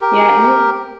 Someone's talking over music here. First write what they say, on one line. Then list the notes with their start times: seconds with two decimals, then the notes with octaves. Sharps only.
Yeah, and you'll
0.01 G4 A#4